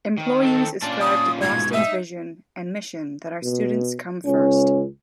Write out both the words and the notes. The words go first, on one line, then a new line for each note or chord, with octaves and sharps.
Employees ascribe to Boston's vision and mission that our students come first.
D#3
C4 A4
A#2 C#4 F4 D5 A5
D#6
G#2 B2 G#6
D#4 E5
B2
C#2 C#4